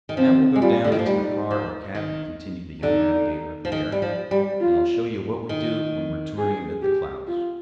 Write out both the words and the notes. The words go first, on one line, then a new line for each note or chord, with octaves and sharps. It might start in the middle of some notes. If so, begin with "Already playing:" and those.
"Now we'll go down into the car or cabin," continued the young navigator of the air, "and I'll show you what we do when we're touring amid the clouds."
D#3
F3 C4
G#3
G3 F4
D3
D#3
F3
G3 D#4
F3
D#3
D3 D#4
F3
D#3
G3
F3
G3
F4
D#3
G#4
G4
F4